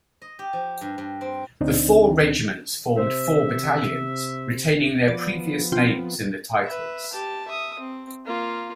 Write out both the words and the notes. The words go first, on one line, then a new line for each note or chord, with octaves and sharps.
The four regiments formed four battalions, retaining their previous names in the titles.
D#5
G4
F3
G2
G2
C4
D2 C4 D4 D#4
C3 C5 E5
F3 B3 D5
C4 F4 G5
B4 E5
G4 A5
E5 D#6
C4
A#3 F4